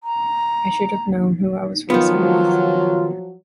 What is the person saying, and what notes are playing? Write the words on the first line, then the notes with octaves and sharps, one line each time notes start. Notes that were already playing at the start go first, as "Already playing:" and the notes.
I should have known who I was racing with.
A#5
D#3 F3 F#3 B3 F4